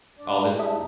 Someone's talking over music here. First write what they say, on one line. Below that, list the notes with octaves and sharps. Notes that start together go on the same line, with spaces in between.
Oh, this
G2 D4 D5
G3 G#3 E4
E5 A5 D#6
F2 B2 D#4